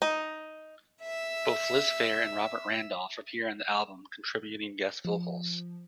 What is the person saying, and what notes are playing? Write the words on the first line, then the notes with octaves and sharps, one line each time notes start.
Both Liz Phair and Robert Randolph appear on the album contributing guest vocals.
D#4
E5 E6
F3